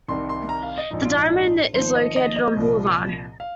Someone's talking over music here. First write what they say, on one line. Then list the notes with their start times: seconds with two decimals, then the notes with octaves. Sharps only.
The Diamond is located on Boulevard.
0.08 C2 C3 D#3 C6
0.29 C6
0.49 A#5
0.63 F5
0.78 D#5
0.91 A#1 G#2 F3 D#4
1.04 F4
1.18 D#4
1.33 D#4
1.73 G#1 G#2 F3 C5
1.95 D#5
2.16 D#5
2.36 D#5
2.57 C2 A#2 F3
3.40 F5